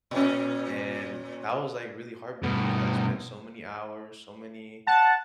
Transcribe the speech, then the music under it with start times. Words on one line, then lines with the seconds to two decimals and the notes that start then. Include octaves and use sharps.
And that was, like, really heartbreaking 'cause I spent so many hours, so many
0.11 A#2 C#4
2.43 G2 B2
4.87 F#5 A5